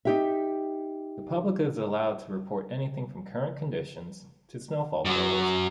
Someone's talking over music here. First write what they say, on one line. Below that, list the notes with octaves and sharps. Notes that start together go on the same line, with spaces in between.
The public is allowed to report anything from current conditions to snowfall totals.
D#4 G4 E5
F#2 F#3